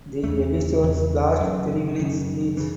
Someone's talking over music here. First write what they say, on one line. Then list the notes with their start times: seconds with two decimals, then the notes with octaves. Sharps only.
The episodes last three minutes each.
0.23 E2 C#3 A3
0.82 E2 C#3
1.40 F#2 C#3 F#3
1.99 F#2 C#3
2.57 C#3 E3